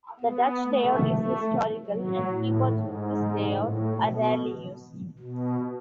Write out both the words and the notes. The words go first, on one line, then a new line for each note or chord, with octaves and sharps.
The Dutch layout is historical, and keyboards with this layout are rarely used.
B3
A3
A3
F#3
A2
G#2
A2
B2
B2